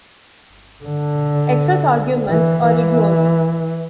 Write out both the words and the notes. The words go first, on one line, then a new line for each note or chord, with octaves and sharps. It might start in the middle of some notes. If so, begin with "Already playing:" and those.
Excess arguments are ignored.
D3
E3
E3